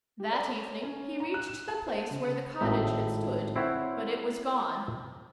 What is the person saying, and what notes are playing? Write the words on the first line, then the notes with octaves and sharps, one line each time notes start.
That evening he reached the place where the cottage had stood, but it was gone.
G4
D5
C#5
C#4
A#5
F#6
E7
A5
C5
C#3
G#1 A2 E5
C4 E4 C5 C#5 F#5